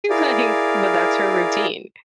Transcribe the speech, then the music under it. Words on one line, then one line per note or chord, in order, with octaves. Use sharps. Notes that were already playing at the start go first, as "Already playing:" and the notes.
Like" but that's her routine.
E4 G#4 A#4 D5 F5